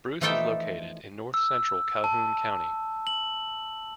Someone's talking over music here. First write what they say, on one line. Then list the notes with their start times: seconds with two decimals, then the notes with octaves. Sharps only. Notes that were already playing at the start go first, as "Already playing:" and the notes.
Bruce is located in north-central Calhoun County.
0.21 E3 F3 A3 D#4 A4 G5
1.34 E6
2.04 A5
3.07 F#7